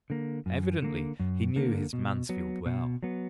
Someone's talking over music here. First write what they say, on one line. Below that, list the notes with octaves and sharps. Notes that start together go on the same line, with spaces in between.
Evidently he knew his Mansfield well.
D3 A#3
F#2
D3 A#3
F#2
D3 A#3
B2
F#3 B3
B2
F#3 B3